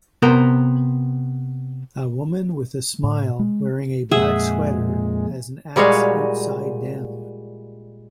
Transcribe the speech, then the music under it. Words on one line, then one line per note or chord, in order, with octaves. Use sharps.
A woman with a smile wearing a black sweater has an axe outside down.
C3 B3 A#4 C5
A2
G#3
F2 A#2 G#3 G#4 E5 F#5
A#2 G3 G#3 F#4 C#5 F5